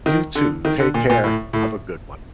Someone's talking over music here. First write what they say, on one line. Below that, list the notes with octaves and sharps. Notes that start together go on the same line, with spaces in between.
You too, take care, have a good one.
D#3
D3
D#3
D3
A#2
A#2
A2
A2